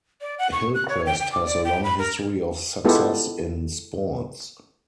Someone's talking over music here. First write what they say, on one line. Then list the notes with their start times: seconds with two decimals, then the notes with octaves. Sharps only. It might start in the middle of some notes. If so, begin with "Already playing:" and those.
Hillcrest has a long history of success in sports.
0.21 D5
0.39 F#5
0.52 C#6
0.74 F#6
0.88 C#5
1.06 G5
1.20 G5
1.32 D6
1.46 D5
1.65 G5
1.84 B5
1.99 A#4
2.85 G#3 B3 E4 F4 G4 A4